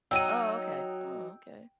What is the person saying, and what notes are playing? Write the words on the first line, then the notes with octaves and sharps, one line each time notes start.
Oh, okay, oh, okay
F#3 D#4 G5 E6 D#7